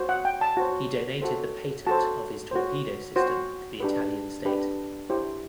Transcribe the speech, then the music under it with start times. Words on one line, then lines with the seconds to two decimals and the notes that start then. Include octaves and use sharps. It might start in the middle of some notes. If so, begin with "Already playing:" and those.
He donated the patent of his torpedo system to the Italian State.
Already playing: F#4 C5
0.09 F#5
0.25 G5
0.41 A5
0.57 F#4 C5
1.22 F#4 A4 C5
1.87 F#4 A4 C5 A5
2.51 F#4 C5
3.16 F#4 C5
3.80 D4 G4 B4
4.45 D4 G4 B4
5.10 E4 G4 C5